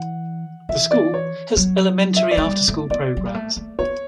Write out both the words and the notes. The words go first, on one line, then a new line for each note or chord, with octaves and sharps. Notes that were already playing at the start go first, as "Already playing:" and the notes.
The school has elementary after-school programs.
Already playing: E3 F#5
E3 E5
D5
C#5
F#3
E5
D5
A3
G3
A3
B3 D5
F#3
G3
A3
A3
B3 C#5